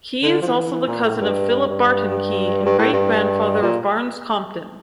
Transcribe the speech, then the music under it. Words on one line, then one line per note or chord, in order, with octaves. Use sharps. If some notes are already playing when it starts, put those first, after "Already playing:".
Key is also the cousin of Philip Barton Key and great-grandfather of Barnes Compton.
D3
F3
E3
E3
A#2
A2
A2
G2
G2
G2
A2
G2
A#2